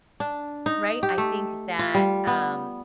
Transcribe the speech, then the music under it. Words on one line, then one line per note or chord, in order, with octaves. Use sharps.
right? I think that, um,
D4
D#4
G4
A3
F4
G3
B3